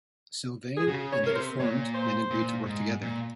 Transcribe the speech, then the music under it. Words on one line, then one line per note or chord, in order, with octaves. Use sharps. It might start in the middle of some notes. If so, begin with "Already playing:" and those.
Sylvain and the Deformed then agree to work together.
G#4
C#3 F#4
C#5
C3 A#4
C5
A#2 C#5
C5
A#2
G#2
A#2